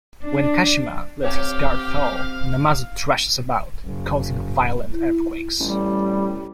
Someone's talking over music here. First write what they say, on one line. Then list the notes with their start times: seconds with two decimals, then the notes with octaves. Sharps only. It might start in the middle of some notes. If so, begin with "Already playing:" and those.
When Kashima lets his guard fall, Namazu thrashes about, causing violent earthquakes.
0.22 D4
1.24 C4 G4 C#5 F5 A5 A#5
3.85 F#1
4.92 E4
5.60 A1 G3